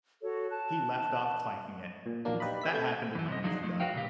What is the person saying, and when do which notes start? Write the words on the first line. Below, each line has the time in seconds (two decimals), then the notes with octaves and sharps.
He left off clanking it. That happened in my youth, though.
0.22 F#4 A4 C#5
0.50 A5 F#6
2.06 A#2
2.25 A#1 E2 D#3 F#3 A#3 D4
2.40 G4 B4 D5 D#5 A#5 B5
2.61 C4 E5 B6
2.74 A3 C4 G6 G#6
3.15 E2 E3
3.28 C3 D#5
3.44 F3 F#3 D4 D#4 G4 G#4
3.63 F3 A3
3.80 F#4 B4 C#5 F5 G5
3.93 A#2 C#3 G4